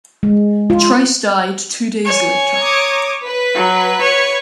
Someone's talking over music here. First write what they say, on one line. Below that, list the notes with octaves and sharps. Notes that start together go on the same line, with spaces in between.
Trice died two days later.
G#3
F4
C#5 G#5
A#5 D6 D#6
B4 B6
F#3
C#5